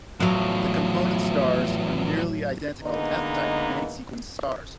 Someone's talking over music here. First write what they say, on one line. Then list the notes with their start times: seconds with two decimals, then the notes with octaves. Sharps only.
The component stars are nearly identical F-type main-sequence stars.
0.20 E2 A2 F3 F#3
2.84 D3 E3 G#3 A#3 B3 D#4